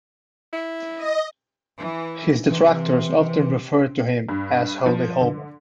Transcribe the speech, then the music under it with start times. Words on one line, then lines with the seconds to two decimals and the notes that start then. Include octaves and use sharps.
His detractors often referred to him as Holy Homer.
0.53 E4
0.97 D#5
1.78 E3
2.50 C3 E3
4.29 G2
4.86 F3
5.21 D3